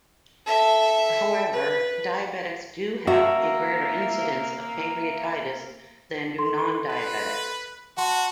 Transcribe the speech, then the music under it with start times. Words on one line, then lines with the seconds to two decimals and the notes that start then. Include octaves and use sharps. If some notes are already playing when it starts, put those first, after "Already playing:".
However, diabetics do have a greater incidence of pancreatitis than do non-diabetics.
0.46 A4 E5
1.53 B4
3.07 A#3 F#4 E5
6.38 A4 C6
6.89 B4
7.97 F#4 F#5 A5 C6